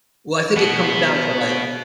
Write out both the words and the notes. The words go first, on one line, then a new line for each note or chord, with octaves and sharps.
Well, I think it comes down to, like,
B2 B3